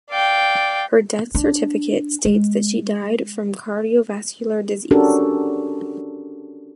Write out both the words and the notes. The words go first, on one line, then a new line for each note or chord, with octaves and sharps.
Her death certificate states that she died from cardiovascular disease.
D5 F5 G5
D4
G#3
C#4 D4 F#4 G4 A4 A#4